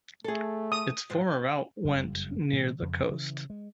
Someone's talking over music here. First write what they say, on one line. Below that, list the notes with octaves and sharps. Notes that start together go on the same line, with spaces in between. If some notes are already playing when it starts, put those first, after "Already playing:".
Its former route went near the coast.
A3 G#4 A4
D#6
E2 G#2
F#1 F2 A2 G3
A#2 E3 G#3
F2 C#3
C#3 E3
G#3